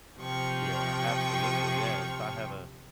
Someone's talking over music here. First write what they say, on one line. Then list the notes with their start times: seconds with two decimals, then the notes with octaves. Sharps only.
Yeah. Absolutely. Yeah. If I have a
0.18 C3 F3 G5 C#6